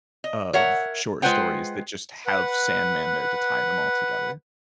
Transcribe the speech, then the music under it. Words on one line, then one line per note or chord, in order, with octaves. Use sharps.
of short stories that just have Sandman there to tie them all together.
D#5
A#4 C#5 E5 F#5
G#3 F4 B4 C5 F#5 G5
B4 F#5